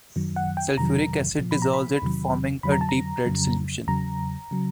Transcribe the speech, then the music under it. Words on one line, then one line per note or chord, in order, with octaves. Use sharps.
Sulfuric acid dissolves it, forming a deep-red solution.
F#2 D#3 F#3
F#5
G5
F2 C3 D#3 F#3 A#5
A#2 F3
B5
A#5
B5
E2 C3 D#3 F#3
F2 D3 F#3 B5
A#5
A5
A#5
F2 C#3 F#3
E2 C#3 F#3 A#5
C#3 F#3